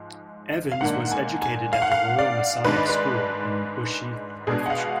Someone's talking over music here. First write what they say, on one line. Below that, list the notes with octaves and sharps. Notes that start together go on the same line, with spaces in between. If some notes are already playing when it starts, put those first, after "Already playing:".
Evans was educated at the Royal Masonic School in Bushey, Hertfordshire.
Already playing: G#2 F3 G#3
F5
G#2 D#3 A#3 D4 F#5
G#5
G#5
F5
F#5
F5
D5
G#2 D#3 G#3 D4 B4
D5
B4
B2 G#3 B3 D4 G#4
F#5
F5